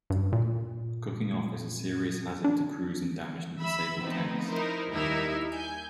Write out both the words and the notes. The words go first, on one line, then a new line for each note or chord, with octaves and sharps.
Cooking off is a serious hazard to crews in damaged and disabled tanks.
G2
A#2
D4
E5 B5 E6
F3 A3 B3 C4 D#4
D#4 E4 A#4 C5
D#2 G3 D#4 E4 A#4 E5
G#5 G6